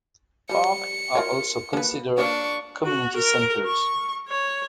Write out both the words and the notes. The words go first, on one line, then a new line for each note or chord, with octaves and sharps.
Parks are also considered community centres.
F3 G3 C#7
F4 A#4 C#5
A#3 B4
A#3 D4 F4 C#5 C#6
F#4
A#4
C#6
C#5